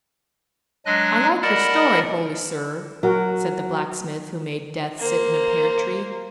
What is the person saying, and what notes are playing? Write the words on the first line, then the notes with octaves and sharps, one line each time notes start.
"I like your story, holy sir," said the Blacksmith who made Death sit in a pear-tree.
F#3 G#3 D4 D#5 G#5 F#6
A#4 D5 D#5 F#5 A5 B5
F#3 F#4 A#4
A#3 C5